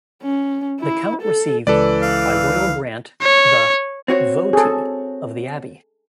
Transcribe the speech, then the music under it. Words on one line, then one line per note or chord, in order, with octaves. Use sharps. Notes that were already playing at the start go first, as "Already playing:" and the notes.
The count received by royal grant the "Vogtei" of the abbey.
C#4
E4
A4
C#2 E3 A4 B4 D5
F5
C#5
C4 F#4 C#5
G#4 A4